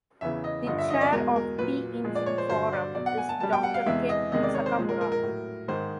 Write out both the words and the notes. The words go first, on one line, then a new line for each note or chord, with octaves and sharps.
The chair of T-Engine Forum is Doctor Ken Sakamura.
E2 C#3 E3 E5
D#5
G2 D3 F3 D#5
E5
D#5
D5
E2 B2 G#3 A#4
A#4
A#2 F#3 B4
A#2 F3 G#3
D5
C#5
C5
G2 D3 F#3 C5
D5
B2 F#3 D5
F#5
G#5
A5
B2 G3 A5
G5
F#5
F5
E2 C3 E3 G#3 E5
D#5
E2 C3 D#3 G#3 D#5
D5
C#5
C5
A#2 F3 G#3
A#4
A#4
A#4
A2 F#3
G#2 D#3 G#3 C5